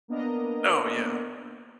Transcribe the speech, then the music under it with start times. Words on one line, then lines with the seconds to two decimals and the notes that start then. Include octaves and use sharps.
Oh, yeah,
0.08 A#3 B3 D4 A#4 D#5 A#5